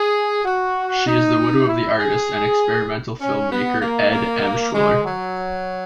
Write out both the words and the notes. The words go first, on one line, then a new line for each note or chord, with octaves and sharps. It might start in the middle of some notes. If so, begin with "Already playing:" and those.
She is the widow of the artist and experimental filmmaker Ed Emshwiller.
Already playing: G#4
F#4
D#4
E4
G#4
C#4
B3
A#3
A#3
G#3
F#3